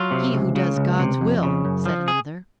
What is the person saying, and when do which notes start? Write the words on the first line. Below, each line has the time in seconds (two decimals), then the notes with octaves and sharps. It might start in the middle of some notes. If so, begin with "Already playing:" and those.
"He who does God's will," said another.
Already playing: F#3 F4
0.11 C3
0.33 C#2
0.56 C#3
0.77 C#2
0.99 C3
1.21 F2
1.43 C#3
1.65 F#2
1.86 F3
2.08 G#4